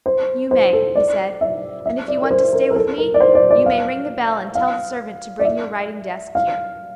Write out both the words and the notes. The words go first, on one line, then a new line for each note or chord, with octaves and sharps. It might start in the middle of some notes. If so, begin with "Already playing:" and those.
"You may," he said, "and if you want to stay with me, you may ring the bell and tell the servant to bring your writing desk here."
C5
C5
A4
D5
E5
E5
D5
A#4
C5
A#4
A#4
A4
A#4
D5
C5
D5
D5
F5
F5
D5
E5
F5